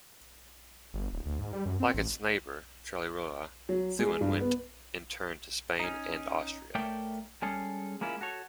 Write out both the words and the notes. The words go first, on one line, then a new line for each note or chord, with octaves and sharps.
Like its neighbour Charleroi, Thuin went in turn to Spain and Austria.
G1
D1
D2
G#2
G3
F#2
C4
A1
F#3
G#3
G2
B3
C#4 D#4
A3 A#4 C#5 D5 E5 G5
G3 G#3 C#4 G#4 A4
G#3 A#3 C#4 E4 F4
F#4 A4 C#5